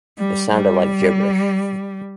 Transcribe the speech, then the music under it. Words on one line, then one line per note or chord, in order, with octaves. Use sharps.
It sounded like gibberish.
G3
G3